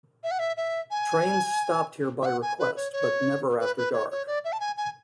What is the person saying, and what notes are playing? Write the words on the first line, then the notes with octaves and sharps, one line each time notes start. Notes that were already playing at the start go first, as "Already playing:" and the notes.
Trains stopped here by request, but never after dark.
E5
F#5
E5
E5
G#5
E5
F#5
G#5
B4
C#5
C#5
B4
B4
C#5
C#5
D5
E5
A5
G#5
G#5